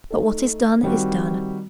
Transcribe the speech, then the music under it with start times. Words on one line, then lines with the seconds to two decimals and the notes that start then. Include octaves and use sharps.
But what is done is done!
0.10 A3 D#4 A4
0.83 D#3 G3 C4 F#4